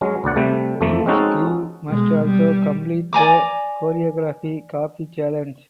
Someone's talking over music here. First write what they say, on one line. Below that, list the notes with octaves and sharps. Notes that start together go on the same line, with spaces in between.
Each crew must also complete the Choreography Copy Challenge.
F#3 G#3 C#4
D2 B2 D5 F#5
C3 G3 A3
F2 F3 A3 A#3
G#3 C4 C#4 D#4 F#4 A4
B2 G#3
G3
D5 G#5 A#5 D6